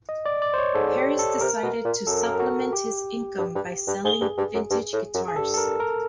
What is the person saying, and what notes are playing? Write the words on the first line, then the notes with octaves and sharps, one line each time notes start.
Harris decided to supplement his income by selling vintage guitars.
D#5
D5
D5
C5
C#5
G#2 A4
G4
A4
C3 A#4
B2
A#2
F#2 A4
A#4
F#4
G4
G2
G2
G2
G#2 G#4
G2
G2
F#2
G2
A2
F#2
G#4
G2 A4
A4
A#4
A#4